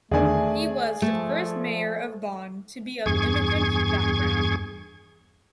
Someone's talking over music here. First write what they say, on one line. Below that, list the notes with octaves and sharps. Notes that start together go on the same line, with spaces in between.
He was the first mayor of Bonn to be of immigrant background.
E2 D3 D#3 A3 G#4 D5 G#5
F3 A3
E2 G2 G#4 C#6 G#6